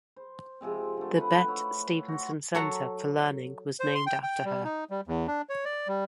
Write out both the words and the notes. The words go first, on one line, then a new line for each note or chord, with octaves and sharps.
The "Bette Stephenson Centre for Learning" was named after her.
C5
C3 F3 G#3 C4
D3 A3
B4 F#5
E4 C#5
F#4 C6
F#3 A4 C#5 F#5 A#5
C5
C6
G5
G5
G3
D#4
G3
E2
D4
C#5
D5
G3